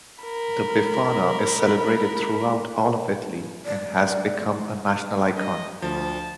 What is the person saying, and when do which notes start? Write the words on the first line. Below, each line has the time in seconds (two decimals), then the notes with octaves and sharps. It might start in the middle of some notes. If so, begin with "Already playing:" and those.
The Befana is celebrated throughout all of Italy, and has become a national icon.
0.24 A#4 B5
3.65 D5
5.36 D#5
5.82 D2 F3 A5